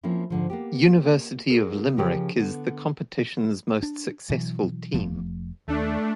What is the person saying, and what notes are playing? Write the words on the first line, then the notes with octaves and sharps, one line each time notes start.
University of Limerick is the competitions most successful team.
F3 A#3 C4 C#4 E4
G#2 D3 F3
A#3 B3 G4
F#4 G#4 A#4
C#3 F3 C#4 G4 G#4 A#4
D3 B3
D4
B2 E3 F#3
F1 F3 A3
D#2 A3 D4